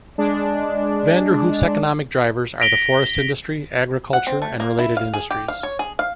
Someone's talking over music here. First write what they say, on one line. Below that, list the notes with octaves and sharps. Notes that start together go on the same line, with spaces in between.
Vanderhoof's economic drivers are the forest industry, agriculture, and related industries.
G#3 D4
A#6 B6 D7 F7 G7
F#5
C4
A3
A#3
E4
F5
G#4
G4
F5
C#5
G#4
F5